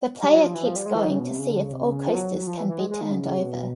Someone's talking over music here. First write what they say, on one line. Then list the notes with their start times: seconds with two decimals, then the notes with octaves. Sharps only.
The player keeps going to see if all coasters can be turned over.
0.23 G3
0.33 F#3
0.44 F3
0.54 E3
0.65 F3
0.76 G3
0.86 G#3
0.95 E3
1.03 D#3
1.10 C#3
1.19 B2
1.29 C3
1.39 C#3
1.50 D3
1.61 C#3
1.72 C3
1.82 C#3
2.08 F3
2.15 F#3
2.47 F3
2.57 E3
2.68 E3
2.79 G#3
2.90 G#3
3.01 D#3
3.12 C#3
3.37 C3
3.43 B2